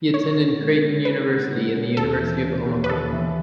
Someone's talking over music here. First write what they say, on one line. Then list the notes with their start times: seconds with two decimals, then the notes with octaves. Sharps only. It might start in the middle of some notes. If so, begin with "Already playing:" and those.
He attended Creighton University and the University of Omaha.
0.14 D#4 C#5
0.36 B3
0.59 G#3
0.82 C#3
1.05 D#4 B4
1.29 B3
1.51 G#3
1.75 C#3
1.97 D#2 A4
2.20 E3
2.44 C#3
2.66 D#2
2.84 B4
2.90 D#2 A4
3.12 E3